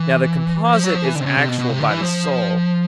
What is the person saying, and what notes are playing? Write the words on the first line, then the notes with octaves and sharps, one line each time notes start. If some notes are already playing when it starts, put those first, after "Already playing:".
Now the composite is actual by the soul.
Already playing: E3
F3
F#3
F3
E3
D3
C3
C#3
C3
B2
B2
C3
D3
E3
F3